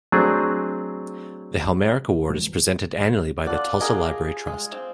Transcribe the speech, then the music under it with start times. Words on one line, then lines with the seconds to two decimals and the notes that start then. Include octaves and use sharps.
The Helmerich Award is presented annually by the Tulsa Library Trust.
0.12 F#3 A3 C4 D4 G#4
3.47 F4 A4 D5 F#5
3.80 G4 G#4 A#4 D#5 F5
4.47 G#3
4.73 C4